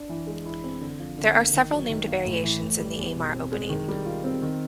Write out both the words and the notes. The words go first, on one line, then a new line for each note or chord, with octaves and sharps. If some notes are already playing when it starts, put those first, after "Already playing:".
There are several named variations in the Amar Opening.
Already playing: D4
E3
G#3
E4
C4
D3
F3
D3
A#3
D#3
F#3
D#3
A#3
A2
E3
A2
G3
E2
B2
C4
G#3
D#3
G3
F4
C4
D#3